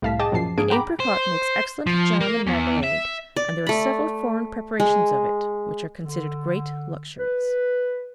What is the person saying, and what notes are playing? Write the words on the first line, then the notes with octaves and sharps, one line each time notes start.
The apricot makes excellent jam and marmalade, and there are several foreign preparations of it which are considered great luxuries.
C2 A2 F5 A5 B6
G#4 D#5 G5 A5 D6
F#2 A#2 F3 A5 C7
G#2 A#3 D4 G#4 D7
F#5 G5 A#5 B5 D6
C5
F3
A#3
E2
E5
D5
A3 B5
G#3
D3
B4